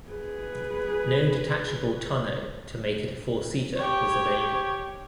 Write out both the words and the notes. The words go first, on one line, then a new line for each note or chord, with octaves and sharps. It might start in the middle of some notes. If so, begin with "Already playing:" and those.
No detachable tonneau to make it a four-seater was available.
G#4 B4
G4 C#5